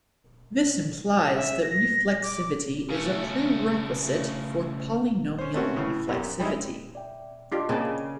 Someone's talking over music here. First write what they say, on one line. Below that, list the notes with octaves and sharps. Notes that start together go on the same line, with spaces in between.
This implies that reflexivity is a prerequisite for polynomial reflexivity.
E5
A#6
D6
C#3 A3
C#4 C5
A3 A#3 C4 C#4 F#4 B4
A2 C#3 E3
B1 F#2 G4
G3 G#3 D#4 E4
D5 E5 G5
D4 F4 G4 D5 D#5 D6
C#3 A#3 C4 A5